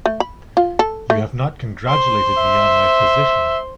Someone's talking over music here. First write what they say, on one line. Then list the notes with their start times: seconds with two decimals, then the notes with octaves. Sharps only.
You have not congratulated me on my physician.
0.06 A3
0.20 B5
0.57 F4
0.79 A4
1.10 A3
1.86 C5 C6
2.38 E5